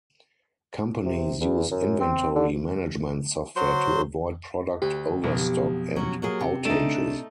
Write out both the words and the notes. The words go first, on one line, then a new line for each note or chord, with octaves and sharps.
Companies use inventory management software to avoid product overstock and outages.
C3
E2
F#2
C4
D3
F#3 F#4 C5 C6
D2 G4
B1 F2 G#2 B2
F#3 C#4
F#3 A#3 G#4
C3
A3 D4 D#4